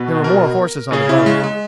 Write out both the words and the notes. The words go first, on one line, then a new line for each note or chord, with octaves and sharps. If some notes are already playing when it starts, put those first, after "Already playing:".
There were more horses on the road.
Already playing: B2 B4
A#4
C#3 G#4
E4
G#3
G#3